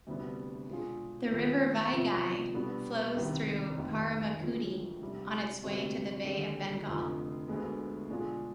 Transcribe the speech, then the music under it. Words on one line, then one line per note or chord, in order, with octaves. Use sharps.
The river Vaigai flows through Paramakudi on its way to the Bay of Bengal.
D2 C3 G3 B3 D4
B2 G#3 D4 F4 G#4
F2 D#3 G#3 B3
F2 C3 F3 B3 F4
B2 G3 B3 D4
C2 C3 D#3
F1 D#2 D#3
D2 D3 F3 G#3
C3 G3 D4
D2 C3 G3 C4 G4
D#2 D3 G#3 D4 G4
F1 F2 D3
D2 D3 G#3 B3
B2 G#3 D4 F4 G#4